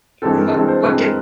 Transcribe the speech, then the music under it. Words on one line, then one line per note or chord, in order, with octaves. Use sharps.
And what what could
G2 E3 G#3 C4 A4
A#4
G2 E3 G#3 C4
C5
G2 E3 G#3 C4 B4
A#4